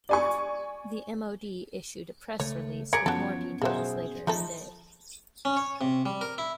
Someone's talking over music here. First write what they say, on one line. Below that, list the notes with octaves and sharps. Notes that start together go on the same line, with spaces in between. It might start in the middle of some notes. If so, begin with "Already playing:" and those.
The MoD issued a press release with more details later in the day.
D5 G#5 C#6
C#2 A3 C#5
G#4 A#4 G#5 D6 G#6 C#7 D7
F#2 F3 F#3 B3 C#4 A4 C#5
B1 B2 F3 F#3 G#4 C5 E5
F3 A3 D#4 A4
C#4
C#5
C3
G3
A#4
E4